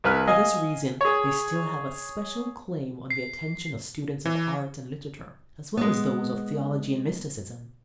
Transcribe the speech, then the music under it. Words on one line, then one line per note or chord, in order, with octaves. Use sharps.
For this reason they still have a special claim on the attention of students of art and literature, as well as those of theology and mysticism.
C2 B4 F6
D#5 F5 G#5
G#4 C#5
C7
E3
G#3 B3